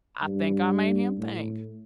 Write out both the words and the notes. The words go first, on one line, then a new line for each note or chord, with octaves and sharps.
I think I made him think.
G2
A2